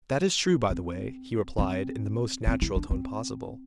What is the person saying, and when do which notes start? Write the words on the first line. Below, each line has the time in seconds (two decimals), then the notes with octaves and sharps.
"That is true, by the way," he replied, in the most natural tone possible.
0.70 C4
1.59 C4
2.47 C4
2.62 E4
2.76 D4
2.91 C4